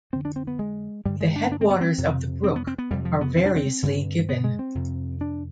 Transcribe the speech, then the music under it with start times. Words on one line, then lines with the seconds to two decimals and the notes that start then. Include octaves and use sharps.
The headwaters of the brook are variously given.
0.13 F2 D3 C4
0.25 D4
0.36 C4
0.47 B3
0.59 G#3
1.05 G2 D3 G3
1.21 G#3
1.36 D4
1.52 D4
1.61 C4
1.70 B3
1.81 C4
1.98 F2 C3
2.44 C4
2.56 B3
2.67 C4
2.78 B3
2.91 F2 C3 G3
3.05 F3
3.21 B3
3.37 C4
3.46 D4
3.56 C4
3.83 G2 D3
4.29 B3
4.44 G#3
4.59 C4
4.75 F2 C3
5.21 D4